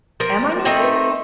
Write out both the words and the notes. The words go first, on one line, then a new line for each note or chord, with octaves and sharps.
'Am I naked?
F3 A#4
A3 C4 D#4